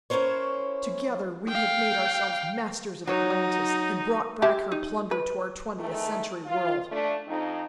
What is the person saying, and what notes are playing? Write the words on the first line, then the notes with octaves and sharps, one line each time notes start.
Together we'd have made ourselves masters of Atlantis and brought back her plunder to our Twentieth Century world.
C#4 E4 A#4 C5 C#5
F5 G5
F#3 D#4 F#4 C#5
G4 E5
D#4
B4
E2 D#3 A3
F4
A3 D4
F2 D#4